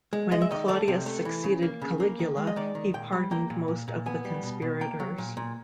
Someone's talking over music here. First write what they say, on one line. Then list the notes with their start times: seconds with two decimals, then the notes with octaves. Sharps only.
When Claudius succeeded Caligula, he pardoned most of the conspirators.
0.13 G#3
0.31 G#3 D#5
0.42 E5
0.51 D#3 D#5
0.68 A3 D5
0.88 C3
1.06 A3
1.25 E3
1.44 C#3
1.62 A#3
1.82 C#3
2.00 A#3
2.19 D#3
2.37 G#3
2.47 D#5
2.56 D#3 D5
2.75 D#3
2.94 A#2 G5
3.13 G3
3.31 A#3 G5
3.50 A#2
3.68 A#2
3.88 A#2
4.06 B3 G#5
4.25 G3
4.43 B2
4.62 B2
4.81 A#3 G5
5.00 F#3
5.18 A#2
5.37 A#2